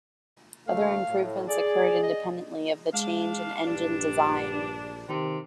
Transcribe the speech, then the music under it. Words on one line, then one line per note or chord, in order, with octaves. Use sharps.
Other improvements occurred independently of the change in engine design.
D2 A3 F5
A2
G#4 D5
D#5
G#3 D4 F5
A#1 G2 D4
C3 D#3